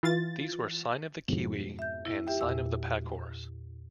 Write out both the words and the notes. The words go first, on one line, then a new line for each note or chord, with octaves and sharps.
These were Sign of the Kiwi, and Sign of the Packhorse.
E3 F4 A6
F2 G#2 B2
E5 G6
E4
G4 E5 G5
E2 A#2 E6